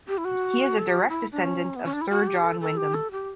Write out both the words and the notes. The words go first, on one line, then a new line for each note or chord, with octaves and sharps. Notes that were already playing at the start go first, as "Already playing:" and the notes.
He is a direct descendant of Sir John Wyndham.
G4
E4
F#4
A4
G4
F#4
E4
D4
C#4
B3
C#4
D4
E4
F#4
G4
A4
A4
G4
A4
G4